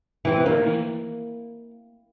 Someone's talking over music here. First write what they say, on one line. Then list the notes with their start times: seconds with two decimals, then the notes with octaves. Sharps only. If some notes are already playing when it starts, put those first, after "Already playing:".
You know what I mean?
0.25 E3 C4
0.46 A#3